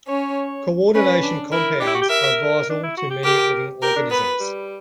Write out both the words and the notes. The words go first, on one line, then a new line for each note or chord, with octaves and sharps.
Coordination compounds are vital to many living organisms.
C#4 C#5
C#4 B4
D4
E4 A#4
D4 G4
E4
F#4
G4
A#4 E5
D4
E4
F#4
G4
G4 A#4
G4 A#4
D4
B3 B4
G3